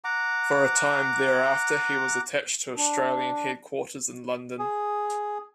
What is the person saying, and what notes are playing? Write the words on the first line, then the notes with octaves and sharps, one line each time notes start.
For a time thereafter he was attached to Australian Headquarters in London.
F#5 A#5 D6
D4
G#4